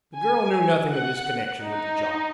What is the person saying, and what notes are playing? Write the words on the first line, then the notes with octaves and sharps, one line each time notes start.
The girl knew nothing of his connection with the job.
G#5
F#5
D#4